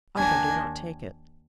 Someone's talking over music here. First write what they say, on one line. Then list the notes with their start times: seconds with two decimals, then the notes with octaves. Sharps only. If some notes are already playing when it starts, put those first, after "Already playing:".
Arthur did not take it.
0.16 D#2 D#3 A#3 D4 G#5